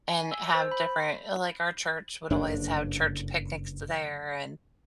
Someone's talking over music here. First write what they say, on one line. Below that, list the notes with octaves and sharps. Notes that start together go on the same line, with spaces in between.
and have different like, our church would always have church picnics t there. And
G#5
E6
C5
B5
F#1 G2 D3 D4